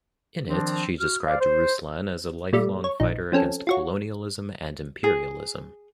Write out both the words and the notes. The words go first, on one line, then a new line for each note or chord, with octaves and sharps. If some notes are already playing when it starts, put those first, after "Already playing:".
In it, she described Ruslan as a lifelong fighter against colonialism and imperialism.
D#3 F3 C4 D4
F#4 F6
C5 D5 F5
C5
A#2 G3 A3
C#5
A#1 D#4
F3 C4 C#4 A4
F4 F#4 C#5
G#4